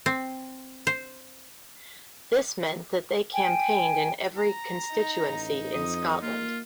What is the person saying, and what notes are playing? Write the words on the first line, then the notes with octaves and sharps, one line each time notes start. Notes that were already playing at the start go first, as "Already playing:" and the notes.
This meant that they campaigned in every constituency in Scotland.
C4
C5
G5 G#5
A#5
D#4
A1
F2 D#6
A#3 F4